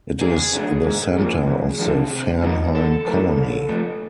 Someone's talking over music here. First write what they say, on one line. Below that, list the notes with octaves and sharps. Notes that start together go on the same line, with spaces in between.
It is the centre of the Fernheim Colony.
F2 G#4
D3 F#3 A3
G#2
F3 A#3
F#2
D3 F3 A3
C3
F3 A#3 D#4
C#3 A4
F3 A3 C#4 E4
C#3
F3 A3